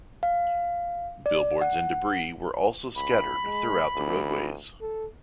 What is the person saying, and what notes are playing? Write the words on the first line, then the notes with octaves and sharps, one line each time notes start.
Billboards and debris were also scattered throughout the roadways.
F5
D5
F#5
C#2 B5
G#3
D2
A4